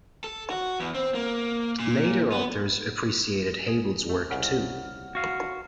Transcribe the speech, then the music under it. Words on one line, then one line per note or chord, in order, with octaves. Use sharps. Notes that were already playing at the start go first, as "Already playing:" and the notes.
Later authors appreciated Hebel's work too.
A4
F#4
E2
C4
A#3
A#2
B3
G#4
A3
C2 C#3 F#5 F6
F#4 F5